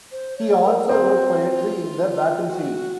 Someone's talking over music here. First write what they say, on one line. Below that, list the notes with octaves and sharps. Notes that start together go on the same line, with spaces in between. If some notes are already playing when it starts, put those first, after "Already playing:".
He also wrote poetry in the battlefield.
C5
C#5
A#4
C4 G#4
F#4
F#4
F4
F#4